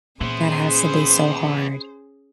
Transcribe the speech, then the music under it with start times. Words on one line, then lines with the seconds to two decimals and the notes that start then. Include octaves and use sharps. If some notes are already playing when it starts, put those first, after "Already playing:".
That has to be so hard.
0.21 A#2 E3 B3 C#4 G#4 C5